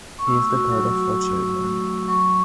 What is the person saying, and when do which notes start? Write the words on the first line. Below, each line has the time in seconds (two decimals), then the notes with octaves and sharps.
He is the third of four children.
0.19 C#6
0.27 A3 E6
0.50 F#4
0.72 F#3
0.95 F#4
1.18 F#4
1.40 F#3
1.63 A3
1.86 F#4
2.08 F#3 C#6